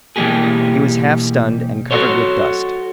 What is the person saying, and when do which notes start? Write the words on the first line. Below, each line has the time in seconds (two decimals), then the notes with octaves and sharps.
He was half stunned and covered with dust.
0.16 B2 E3 G3 A#3 G4 G#4
1.91 F#4 A4 C5 C#5